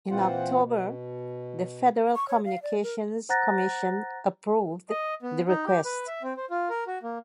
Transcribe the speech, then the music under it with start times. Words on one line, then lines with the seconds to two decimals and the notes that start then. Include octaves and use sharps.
In October, the Federal Communications Commission approved the request.
0.11 A#2 E3 C4 F4 C5 F#5
0.63 B2
2.15 C#6
2.28 C#5
2.45 F5
2.62 D5
2.83 A#4
3.29 C5 F#5 A#5 F#6 A6 A#6
4.90 D#5
5.22 B3
5.48 D#4
5.66 G4
5.85 B4
6.07 E5
6.23 C4
6.37 C5
6.50 F4
6.69 A#4
6.87 F#4
7.03 A#3